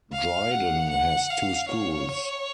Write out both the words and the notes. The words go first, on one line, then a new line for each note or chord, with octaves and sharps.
Dryden has two schools.
F5
F#5
F#5
F5
C#5